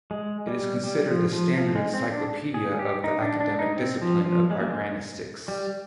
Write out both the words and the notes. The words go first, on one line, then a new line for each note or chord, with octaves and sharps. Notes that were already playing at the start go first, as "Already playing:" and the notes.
It is considered the standard encyclopaedia of the academic discipline of Iranistics.
G#3
G3
G3
F3
F3
F3
G#3
C4
D4
G#4
G4
D#4
D4
D4
D#4
C4
F3
F3
G#3
A#3
G#3
G3